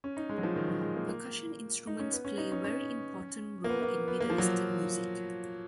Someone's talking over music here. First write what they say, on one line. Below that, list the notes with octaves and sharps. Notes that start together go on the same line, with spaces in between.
Percussion instruments play a very important role in Middle Eastern music.
C#4
D#4
G#3
F#3
F3
D#3
F#3
G#3
A#3
A#3
D#4
C#4
B3
C#4
D#4
C#4
C#4
A#3
B3
A#3
B3
A#3
F3
F#3